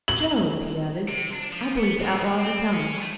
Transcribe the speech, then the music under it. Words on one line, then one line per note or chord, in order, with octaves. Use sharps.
"Jove!" he added, "I believe the outlaws are coming."
F#7
C3
D4
F3
B3
A2
C4
C#4
A3